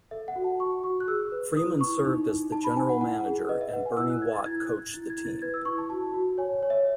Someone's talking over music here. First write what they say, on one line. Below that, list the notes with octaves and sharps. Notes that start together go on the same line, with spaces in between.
Freeman served as the general manager and Bernie Watt coached the team.
A4 E5
F#5
F#4
A5
F#4 C#6
F#4 C#6
F#6
G#4 E6
B4
E4 D#6
E4 C#6
D#4
D#4
D#4 A5
B5
D#4 G#5
F#5
E4 F#5
G#4
B4 D#5
E5
B4 F#5
G#5
E4 E6
F#6
E4 G#6
A6
E4 G#6
F#6
E4
G#6
E4 A6
G#6
E4
A6
B4 G#6
E6
E4 C#6
A5
F#4 A5
F#4
C#5 G#5
C#5
E5